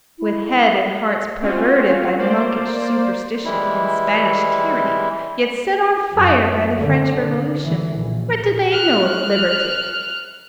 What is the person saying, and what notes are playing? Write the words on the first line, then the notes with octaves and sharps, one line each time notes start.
With head and hearts perverted by monkish superstition and Spanish tyranny, yet set on fire by the French Revolution, what did they know of liberty!
E4
C4 C#4 F4 F#4
A#3 C5 D5
E3 G3 G#3 E4
F#2
D3
E3
A#1
F6 F#6